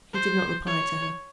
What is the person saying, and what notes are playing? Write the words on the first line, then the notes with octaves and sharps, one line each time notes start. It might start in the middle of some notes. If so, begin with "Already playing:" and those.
He did not reply to her.
C5
C#5